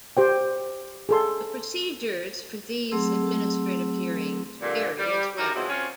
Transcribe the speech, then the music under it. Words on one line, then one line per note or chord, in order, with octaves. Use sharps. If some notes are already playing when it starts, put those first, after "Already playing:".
The procedures for these administrative hearings vary as well.
G4 C5 G5
G#4 A4 C6
F#3 A3 C4 G#4 C6 E6
G2 A#2 D3
G3
D#4 F#4 G4 A#4
B2 F3 F#3 G#3 C4 E4
C4 C#4 F4 C#5